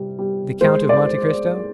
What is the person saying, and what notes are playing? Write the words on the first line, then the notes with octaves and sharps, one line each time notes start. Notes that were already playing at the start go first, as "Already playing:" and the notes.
"The Count of Monte Cristo?"
Already playing: C3 G3
G3
G#3 C5
D5